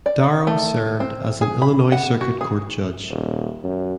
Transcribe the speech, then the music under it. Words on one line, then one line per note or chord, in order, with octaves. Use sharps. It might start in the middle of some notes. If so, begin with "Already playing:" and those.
Darrow served as an Illinois Circuit Court judge.
D5
A3
C4
G#4
B5
F#5
F#4
G#4
D#1
F#2